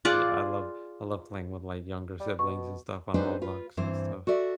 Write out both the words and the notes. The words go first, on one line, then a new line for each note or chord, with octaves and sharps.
Yeah, I love I love playing with my younger siblings and stuff on Roblox and stuff.
F4 G#4 D5 F#5
G3
B2 C#6
C4 D4 D#4 G#4 B4 C5
F4 B4
G2 E3 C4 C5
F#4 A4 D5 E5